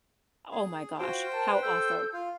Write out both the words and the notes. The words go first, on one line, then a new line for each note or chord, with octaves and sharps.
oh my gosh, how awful.
G#4
F4 F#4 C5 G5
A#4 A5
B4
A4 E6 G6
F4